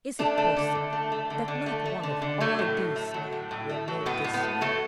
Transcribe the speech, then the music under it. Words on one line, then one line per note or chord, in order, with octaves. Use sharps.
Is it possible that not one of all these men will notice me?
A3 D4
A3
D3
D3
A3
A3
D3
D3
A3
A3
D3
D3
F#3 A3
A2
A2
A3
F#3
A2
A2
A3
F#3
A2 B3
A2
B3
A3
F#3 A3